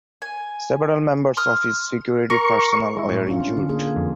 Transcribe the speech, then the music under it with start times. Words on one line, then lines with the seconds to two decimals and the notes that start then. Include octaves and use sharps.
Several members of his security personnel were injured.
0.22 G#5
1.37 C6 D#6 F6
2.30 A#4 C#6
2.97 G#3 E4
3.11 A2
3.27 C#4 D4 F4
3.57 D3
3.69 A#3 G#4
3.96 F2